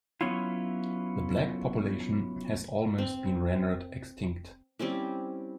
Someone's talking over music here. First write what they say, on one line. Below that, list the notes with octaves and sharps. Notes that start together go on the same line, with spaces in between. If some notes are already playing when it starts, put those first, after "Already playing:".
The black population has almost been rendered extinct.
F#3 B3 C#4 E4 F4
C4
G3 C4 C#4 E4